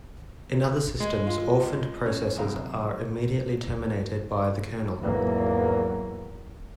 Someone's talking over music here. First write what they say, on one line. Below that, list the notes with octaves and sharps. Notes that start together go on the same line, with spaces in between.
In other systems orphaned processes are immediately terminated by the kernel.
G#3
F4
C#4
F#2 C3 F5
G#1 E2 E3 F#3 A#3